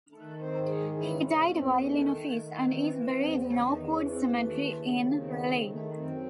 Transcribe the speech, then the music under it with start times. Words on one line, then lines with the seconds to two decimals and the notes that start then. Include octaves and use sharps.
He died while in office and is buried in Oakwood Cemetery in Raleigh.
0.12 D#3 A3 A4
0.40 C4 C5
0.53 G#2
0.67 G#3 G#4
0.95 C#3 E3 E4
1.23 C#3 C#4
1.37 E2
1.51 C4
1.79 D#3 A3
2.21 D#3
2.62 E3 C4
3.00 A3
3.04 E2 C4
3.37 C4
3.45 E2 C#3 C#4
3.66 D#3 D#4
3.87 C#3 E3 C#4
4.08 C4
4.29 D#2 A3
4.71 C#3
5.12 D#3 C4
5.40 C4
5.54 D#3
5.68 A3
5.95 F#2 C4